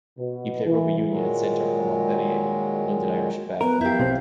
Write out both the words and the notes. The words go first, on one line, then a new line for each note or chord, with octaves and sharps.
He played rugby union at centre for Montpellier, London Irish, Bath and England.
B2
E3
A#2 D#3 F#3 G#3
B3 A#4 B4
E4 G4 E5 F5 G6
B1 C4